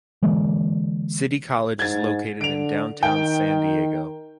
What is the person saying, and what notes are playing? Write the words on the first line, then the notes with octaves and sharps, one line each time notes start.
City College is located in Downtown San Diego.
D3 E3 G#3 A#3
G#2 G#6 A6
D3 D7 F7
D#3 G5